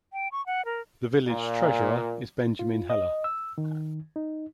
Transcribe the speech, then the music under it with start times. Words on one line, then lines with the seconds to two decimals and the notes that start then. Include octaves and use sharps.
The village treasurer is Benjamin Heller.
0.13 G5
0.32 C#6
0.46 F#5
0.65 A#4
1.27 A#2
2.59 F4
2.90 D#5
3.24 E6
3.58 D#3
4.16 D#4